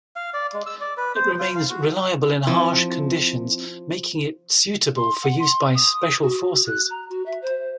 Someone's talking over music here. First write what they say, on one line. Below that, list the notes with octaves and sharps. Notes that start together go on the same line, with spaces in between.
It remains reliable in harsh conditions, making it suitable for use by special forces.
F5
D5
G#3
E6
D5
B4
C5
F4
F5
F#4
F3 C4 E4
C6
F#5
C6
D#6
F#4
F#6
A#5
F#4
E5
C5